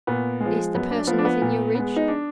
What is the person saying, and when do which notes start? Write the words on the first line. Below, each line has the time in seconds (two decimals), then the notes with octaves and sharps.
"Is the person within your reach?"
0.07 A#2 B3
0.41 F3 G#3
0.74 F#2 B3
0.91 D4
1.07 F3 B3
1.18 D4
1.25 B3
1.42 A#2
1.75 G#3 B3
1.96 D#4
2.08 D4